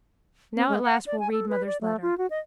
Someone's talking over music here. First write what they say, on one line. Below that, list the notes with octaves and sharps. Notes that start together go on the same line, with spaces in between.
Now at last we'll read mother's letter.
C4
G#3
F#5
D5
G#5
A4
B4
D5
A3
F4
F#4
D#5